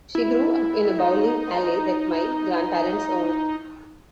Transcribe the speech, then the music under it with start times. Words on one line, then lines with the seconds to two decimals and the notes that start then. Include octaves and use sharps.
She grew up in a bowling alley that my grandparents owned.
0.15 E4
0.99 D#4